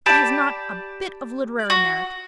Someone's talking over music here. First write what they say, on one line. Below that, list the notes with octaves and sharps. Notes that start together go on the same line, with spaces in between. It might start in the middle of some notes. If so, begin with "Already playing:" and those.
That has not a bit of literary merit.
G4 D5 A5 B5
F#4